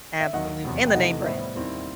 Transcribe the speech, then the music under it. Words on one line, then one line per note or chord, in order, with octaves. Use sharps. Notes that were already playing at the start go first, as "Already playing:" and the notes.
absolute and the name-brand.
E5
D#2 D#3 F#3 D#5 F#5
E2 C3 F#3 B3
G5
C3 E3 A3 D#4 D#5 F#5
A2 G3 B3 C5 E5
D#2 D#3 G3 C4 E4